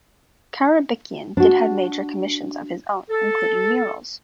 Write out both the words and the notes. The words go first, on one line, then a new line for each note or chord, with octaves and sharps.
Karabekian did have major commissions of his own, including murals.
D4 F#4
A4